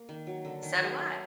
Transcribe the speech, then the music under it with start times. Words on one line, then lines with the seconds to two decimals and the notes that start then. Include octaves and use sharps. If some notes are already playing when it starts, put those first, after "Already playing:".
So do I.
Already playing: A#3
0.09 D#3
0.27 F#3
0.45 D3
0.63 D#3
0.80 F#3
0.99 A3